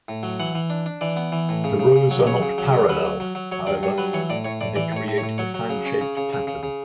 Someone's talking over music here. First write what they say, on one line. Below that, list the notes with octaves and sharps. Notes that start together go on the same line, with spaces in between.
The rows are not parallel, however, and they create a fan-shaped pattern.
A2
F#3
E3 F#5
E3
D4
D4
E3 D5
B3
E3
A2
C#3
C#3
C#3
F#3
C#3 C#5
C#3
F#3
C#3
F#3 B4
F#3
F#3
F#3
F#3 C#5
G2 D5
G2 C#5
F#3 B4
E3 C#5
A2 D5
A2 C#5
A2 D5
E3 D5
A2 C#5
A2
C#5
A2
F#3 C#5
F#3
C#3
C#4
C#3
C#3
C#3
C#3
C#3